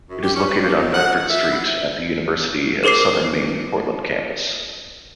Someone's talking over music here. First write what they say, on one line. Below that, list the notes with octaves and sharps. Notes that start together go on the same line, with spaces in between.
It is located on Bedford Street at the University of Southern Maine Portland Campus.
F#2
G4
C#4
B4
A#3
D#4
F#5
F2
E5
E4
G#4 A#4 C5 D6 C7